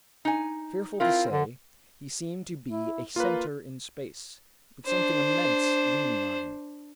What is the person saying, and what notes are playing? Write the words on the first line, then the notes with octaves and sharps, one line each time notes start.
Fearful to say, he seemed to be a centre in space, with something immense leaning on him.
D#4 G#5
C4 E4 F4 A#4
D3
E4
A#3 F4 B4
D4 C5